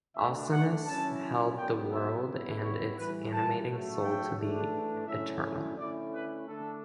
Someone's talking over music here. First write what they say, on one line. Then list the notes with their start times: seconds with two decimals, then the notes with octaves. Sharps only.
Alcinous held the world and its animating soul to be eternal.
0.16 D3 A3 D4 E5
0.51 F#5
0.86 F#3 C#4 E4 A5
1.56 A2 F#3 B3 G5
1.92 E5
2.26 C#3 G3 B3 E4
2.62 C#5
2.97 A2 E3 G3 B4
3.32 A5
3.67 C#3 F#3 A3
4.02 G5
4.38 E3 A3 D4
5.07 D3 F#3 A3 C#4 E4 E5
5.78 D3 A3 C#4 E4 D5
6.12 B4
6.48 D3 A3 D4 A4